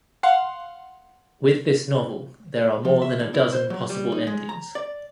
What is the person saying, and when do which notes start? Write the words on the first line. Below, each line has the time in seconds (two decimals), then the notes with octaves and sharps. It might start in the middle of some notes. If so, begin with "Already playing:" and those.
With this novel, there are more than a dozen possible endings.
0.23 F5 F#5 C6
2.85 F3
3.02 E5
3.20 D#2
3.34 E4
3.53 C5
3.70 F#3
3.90 G3
4.12 D#4
4.27 G#3
4.49 A#5
4.75 D5